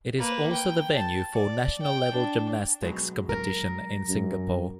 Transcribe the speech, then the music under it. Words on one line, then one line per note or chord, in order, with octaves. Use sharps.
It is also the venue for national-level gymnastics competition in Singapore.
A#3 B4
G5
A5
D5
G5
D4
B2 F#3 G#3
A#4
F#2